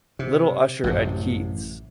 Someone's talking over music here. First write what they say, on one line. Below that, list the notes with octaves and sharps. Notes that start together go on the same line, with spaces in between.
Little usher at Keith's.
C3
A1 F#2 C3